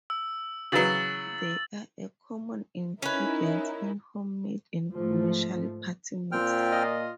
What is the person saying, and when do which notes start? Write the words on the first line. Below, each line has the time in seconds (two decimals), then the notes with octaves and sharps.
They are a common ingredient in homemade and commercial party mix.
0.10 E6
0.72 C#3 E3 F#3 E6 A6 F#7
3.02 C#4 D#4 E4 A#4 B4
4.95 G#2 F3 A3
6.32 A#2 C4 G5 F6
6.72 F4 D#5